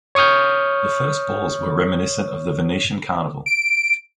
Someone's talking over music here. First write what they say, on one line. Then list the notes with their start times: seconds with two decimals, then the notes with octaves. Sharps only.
The first balls were reminiscent of the Venetian carnival.
0.15 C#5 C#6 D#6 F6 G6
3.46 D7